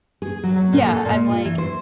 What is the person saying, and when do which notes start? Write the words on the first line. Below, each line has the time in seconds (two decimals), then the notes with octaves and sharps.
Yeah, I'm like
0.22 G#4
0.44 F#3
0.56 F#3
0.73 A#2
0.87 A4
1.05 A#2
1.29 F4
1.45 E3
1.58 C5